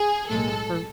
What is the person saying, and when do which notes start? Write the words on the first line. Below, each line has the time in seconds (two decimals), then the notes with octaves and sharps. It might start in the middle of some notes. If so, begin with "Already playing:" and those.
in the fruits,
Already playing: G#4
0.29 B1 A2 G#3 A4